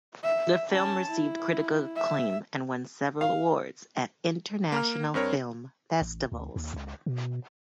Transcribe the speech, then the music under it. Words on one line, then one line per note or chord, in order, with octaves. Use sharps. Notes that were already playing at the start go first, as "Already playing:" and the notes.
The film received critical acclaim and won several awards at international film festivals.
E5
C#4 A5
E4
E5
F5
A#3 A#5 F6
G2 C4 A#4 C#5
A1
D2
D#2
C#2
B2